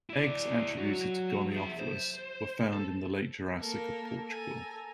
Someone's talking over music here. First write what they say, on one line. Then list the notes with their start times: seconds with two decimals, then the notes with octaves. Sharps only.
Eggs attributed to "Goniopholis" were found in the Late Jurassic of Portugal.
0.10 E4 D5
0.78 F#3 F#4
1.52 G#4 E5
1.80 C5
2.73 A4
3.59 A#3 A4 A#4
4.25 A4 G#5 A#5